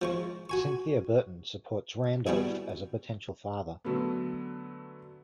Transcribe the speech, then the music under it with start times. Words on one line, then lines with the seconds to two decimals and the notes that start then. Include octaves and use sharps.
Cynthia Burton supports Randolph as a potential father.
0.02 F3 G#3 C#6
0.50 F#4 G#5 C#6
2.27 B2 G3 E4 G#4
3.84 D3 F#3 A3 B3